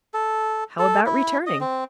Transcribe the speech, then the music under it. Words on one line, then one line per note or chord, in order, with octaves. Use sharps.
"How about returning?"
A4
A4
E4
D#5
C4